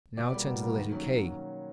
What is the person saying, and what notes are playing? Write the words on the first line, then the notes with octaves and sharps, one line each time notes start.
Now turn to the letter k.
B2 D5
G3 A#3
B2
G3 A#3
D#3
F#3 A#3 C#4